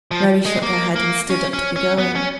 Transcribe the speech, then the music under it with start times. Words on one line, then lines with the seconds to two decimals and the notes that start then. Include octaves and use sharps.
Mary shook her head, and stood up to be going.
0.11 F3
0.46 G#3
0.63 A#3
0.96 A#3
1.30 C#4
1.53 C#4
1.76 C#4
1.98 B3
2.15 C#4